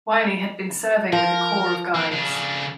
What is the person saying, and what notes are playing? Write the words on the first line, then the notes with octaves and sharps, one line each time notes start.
Wylly had been serving with the Corps of Guides.
F3 A#4
A#3 C4
C#3 D4